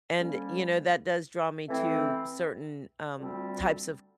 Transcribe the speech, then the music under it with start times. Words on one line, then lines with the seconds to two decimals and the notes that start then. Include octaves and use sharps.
And, you know, that does draw me to certain, um, types of
0.16 F2 D3 G3 A#3 C#4
1.67 E3 A3 C4 E4
3.18 D2 D3 G3 C4 F4